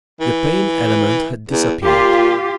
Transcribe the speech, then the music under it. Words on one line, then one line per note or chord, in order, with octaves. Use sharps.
The pain element had disappeared.
E3
E2
A#2 F4 G4